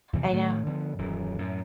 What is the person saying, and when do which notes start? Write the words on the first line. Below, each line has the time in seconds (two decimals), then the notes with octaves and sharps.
I know.
0.13 E2 C3 E3 F3
0.33 A2 D#3 A3
0.66 D3 F3 B3
0.98 D#1 F#2 E3
1.38 F#2 A2